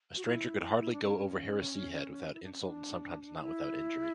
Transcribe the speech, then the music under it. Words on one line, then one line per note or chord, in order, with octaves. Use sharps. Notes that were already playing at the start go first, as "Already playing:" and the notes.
A stranger could hardly go over Harriseahead without insult and sometimes not without injury.
F#4
E4
E4
D4
C#4
E4
D4
C#4
D4
E4